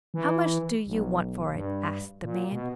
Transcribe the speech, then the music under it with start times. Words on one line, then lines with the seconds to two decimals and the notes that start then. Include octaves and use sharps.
"How much do you want for it?" asked the man.
0.14 E3
0.87 B1
1.55 G2
2.24 A#2
2.52 B2